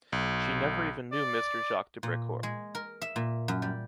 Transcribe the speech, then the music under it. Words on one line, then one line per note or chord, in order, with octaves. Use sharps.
She never even knew Mr. Jacques de Brécourt.
B1
D5
A#2
G#3
A#4
E5
A#2
F#2
G3